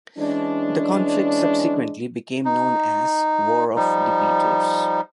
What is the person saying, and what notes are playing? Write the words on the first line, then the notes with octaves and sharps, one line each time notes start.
The conflict subsequently became known as "War of the Peters".
E3 G#3 C#4 D4
D#4
F3 G3 D#4